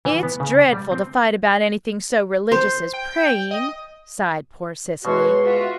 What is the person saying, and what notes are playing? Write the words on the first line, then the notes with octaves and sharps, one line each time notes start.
"It's dreadful to fight about anything so religious as praying," sighed poor Cecily.
E3
B3
C#3
G3
C4
C5
G5
D#5
B2 G#3 F#4 B4 C#5 C6
F4 F#4 E5